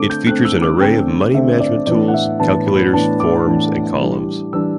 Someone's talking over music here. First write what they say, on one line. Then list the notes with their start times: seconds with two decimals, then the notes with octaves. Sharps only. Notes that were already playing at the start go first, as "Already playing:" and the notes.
It features an array of money management tools, calculators, forums and columns.
Already playing: D3 A3 C4 D6
0.10 G6
0.27 D3 A3 C4 F#6
0.45 E6
0.62 D6
0.80 D3 A3 C4 G5
1.34 D3 A3 C4 E5
1.60 D5
1.87 A2 E3 B3 D4 D5
2.08 F#5
2.14 E5
2.40 A2 E3 B3 D4 A5
2.67 B5
2.93 A2 E3 B3 D4 A5
3.20 D6
3.47 A2 E3 B3 D4
4.00 E3 G3 D4
4.53 E3 G3 D4 E6